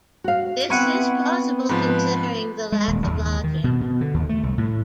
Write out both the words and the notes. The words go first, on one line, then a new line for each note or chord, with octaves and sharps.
This is plausible, considering the lack of lodging.
F#4 F5
B3 C4 E4 B4 F#5 C#6 G#6 D#7
G#2 F3 B4
G#3
D#1
D#2
D#3
B2
B2
D3
D#2
A3
C2
A2